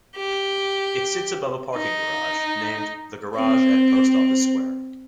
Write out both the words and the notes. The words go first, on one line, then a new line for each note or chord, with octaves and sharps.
It sits above a parking garage, named The Garage at Post Office Square.
G4
D#4
C4